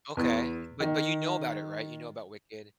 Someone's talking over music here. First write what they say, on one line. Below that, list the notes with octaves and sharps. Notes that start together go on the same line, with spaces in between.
Okay. But but you know about it, right? You know about Wicked.
E2
D#3